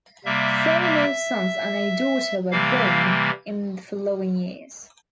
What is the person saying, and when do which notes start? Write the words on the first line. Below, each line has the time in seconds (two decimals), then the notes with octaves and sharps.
Four more sons and a daughter were born in the following years.
0.25 C3 G3 A#3 E5
0.82 E5
2.51 C3 E3 G3 A#3 F5